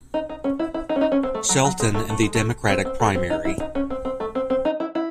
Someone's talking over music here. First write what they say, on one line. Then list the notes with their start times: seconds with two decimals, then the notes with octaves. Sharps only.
Shelton in the Democratic primary.
0.14 D#4
0.29 D#4
0.44 C#4
0.59 E4
0.74 E4
0.89 D#4
0.96 C#4
1.01 D#4
1.12 C#4
1.23 C4
1.34 A3
1.49 F#3
1.65 F#3
1.80 G#3
1.94 A3
2.10 A3
2.23 G#3
2.35 A3
2.70 C4
2.85 C4
3.00 A3
3.15 C4
3.30 D#4
3.45 E4
3.60 D#4
3.75 C#4
3.90 C4
4.05 C4
4.20 A3
4.35 C4
4.50 C4
4.65 D#4
4.80 E4
4.95 E4